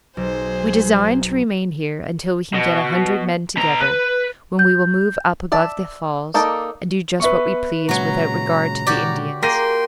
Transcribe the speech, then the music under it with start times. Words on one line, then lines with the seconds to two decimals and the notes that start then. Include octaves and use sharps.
We design to remain here until we can get a hundred men together, when we will move up above the falls and do just what we please without regard to the Indians.
0.17 B1 G#4 C5
2.54 B2
3.57 B2 A#5
3.81 B4
4.59 G6
5.52 D5 E5 A5
6.34 A#3 D#4 A4 D5
7.20 B3 B4 E5 C#6
7.89 A#2 C#3 F#3 G#3 F#4 A#5
8.87 F#4 G4 D5
9.43 A#3 G#4 G5 A#5 C6 A#6 D#7